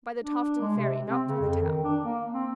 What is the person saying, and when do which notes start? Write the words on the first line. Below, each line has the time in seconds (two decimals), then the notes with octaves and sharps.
"By the Tofton Ferry, not through the town."
0.23 D4
0.61 G#3
0.77 C3
1.09 C4
1.27 C#3
1.41 F2
1.62 D#3
1.84 D4
2.04 A#3
2.33 C4